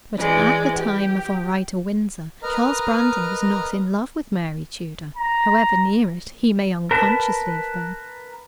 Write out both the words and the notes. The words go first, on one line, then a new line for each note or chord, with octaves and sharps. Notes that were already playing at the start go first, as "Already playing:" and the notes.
But at the time of our ride to Windsor, Charles Brandon was not in love with Mary Tudor, however near it he may unconsciously have been.
E3 G#3 D5
G4
A#4 B4 D#5 A#5 F6
A#5
A#4 B4 A5